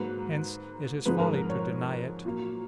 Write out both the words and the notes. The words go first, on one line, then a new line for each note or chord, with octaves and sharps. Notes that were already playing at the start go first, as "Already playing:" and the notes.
Hence it is folly to deny it.
Already playing: G#2 F#3 A#3 B4
G#2 F3 G#3 B4
A#4
C#5
A#2 F#3 A#3